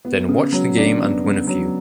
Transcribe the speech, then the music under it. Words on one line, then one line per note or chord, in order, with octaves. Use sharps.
Then watch the game and win a few.
B3
C#3
F#3
D4
B3
C#3
F#3